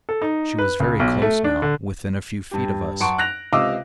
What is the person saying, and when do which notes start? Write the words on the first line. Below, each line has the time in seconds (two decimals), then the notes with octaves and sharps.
She was very close now, within a few feet of us.
0.09 A4
0.22 D#4
0.59 B4
0.80 C#2
0.99 B1
1.22 A3
1.44 D4
1.62 D3
2.51 G2 G4
3.00 F#2 F#5 A5 C6 C#6 D7
3.18 F#6 A#6 F7
3.52 C#2 C3 D#5 F5 D6 E6